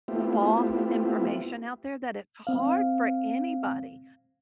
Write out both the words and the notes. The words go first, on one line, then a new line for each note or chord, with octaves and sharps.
false information out there that it's hard for anybody
A3 B3 C4 E4 F4 G4
C4 F5